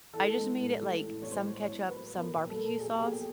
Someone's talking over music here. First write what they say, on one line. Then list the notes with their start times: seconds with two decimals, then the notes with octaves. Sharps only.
I just made it, like, some ketchup, some barbecue sauce.
0.13 E3 A4
0.36 G#3
0.59 A2
0.80 A1
1.02 E3
1.22 G#3 C#5
1.32 C5
1.46 A2
1.53 C5
1.61 C#5
1.69 A1
1.91 F#3 B4
2.13 B3
2.21 A#4
2.35 A#2
2.49 A4
2.57 A#1
2.80 F#3 G#4
2.95 G4
3.01 B3 G#4